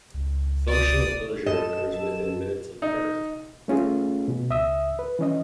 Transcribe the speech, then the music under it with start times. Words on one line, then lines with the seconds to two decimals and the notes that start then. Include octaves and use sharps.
Functional closure occurs within minutes of birth.
0.14 C#2
0.68 D5 D#6
1.46 F#2 A4 D#5 E7
2.82 D#4
3.68 A3 C#4 F4 G#4
4.28 B2
4.50 C#2 E5 D#6 E6
4.99 B4
5.19 E3 C#4 D#5